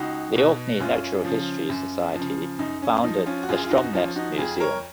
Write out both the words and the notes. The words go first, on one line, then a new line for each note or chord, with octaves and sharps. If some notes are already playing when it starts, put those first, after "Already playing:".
The Orkney Natural History Society founded the Stromness Museum.
Already playing: C#2 D#4 F#4
B2
F#2 C#4 F4
C#3 F3
F#2
F3
C#3
F#2 D#4
C#4
F3 D#4
C#4 F4
F#4
F#2 F4 G#4
F4
D#4 F#4
D#4
F3 C#4 F4
D#4 F#4
F2 F4 G#4
A#4 C#5